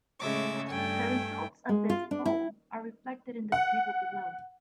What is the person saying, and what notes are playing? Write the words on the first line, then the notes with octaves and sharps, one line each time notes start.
The results of this poll are reflected in the table below.
A2 C#3 G#3 E5 D6
G2 A3 G5 G#5
G#3
F4
D4
E4
F#5